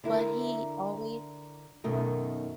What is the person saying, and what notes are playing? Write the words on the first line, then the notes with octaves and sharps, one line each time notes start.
But he always
D3 E4 A#4
F#2 B2 D#3 A3